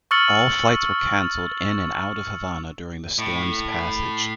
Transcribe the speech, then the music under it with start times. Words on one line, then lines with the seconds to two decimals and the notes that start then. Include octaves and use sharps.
All flights were canceled in and out of Havana during the storm's passage.
0.11 C#6 E6 F6 A6 C#7 F#7
3.19 A2